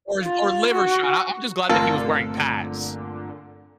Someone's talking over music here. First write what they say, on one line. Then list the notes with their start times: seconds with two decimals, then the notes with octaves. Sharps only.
or or liver shot. I I'm just glad that he was wearing pads
0.22 F4
0.72 F#4
1.69 G1 A#2 D3 A3 C4 F4 A4 A#4